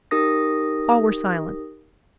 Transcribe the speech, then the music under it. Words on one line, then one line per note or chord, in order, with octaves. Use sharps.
All were silent.
D#4 G4 A#4 D#6 A#6